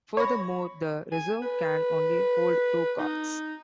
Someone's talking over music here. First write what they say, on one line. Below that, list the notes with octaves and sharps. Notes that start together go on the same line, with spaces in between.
Furthermore, the reserve can only hold two cards.
C#5 B5 C#6 A#6
G#5
B4
D#4